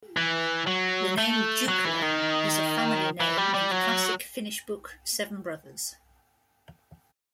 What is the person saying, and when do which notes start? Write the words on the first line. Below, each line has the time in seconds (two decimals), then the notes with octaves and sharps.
The name Jukola is a family name in the classic Finnish book, "Seven Brothers".
0.17 E3
0.67 F#3
1.18 A3
1.68 F#3
1.85 E3
2.02 D#3
3.20 E3
3.37 G3
3.54 G3
3.71 F#3